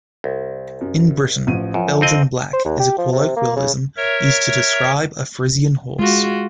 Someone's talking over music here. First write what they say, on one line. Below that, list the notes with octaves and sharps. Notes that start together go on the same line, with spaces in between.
In Britain, "Belgian Black" is a colloquialism used to describe a Friesian horse.
C2
F#2
A1 F3 D#7
F#2 F3
F2 C4 D#5
C5
D#2
G4
F3
C3
A#3
C#3
A#4 C#5 E5
G#3 F4 F#4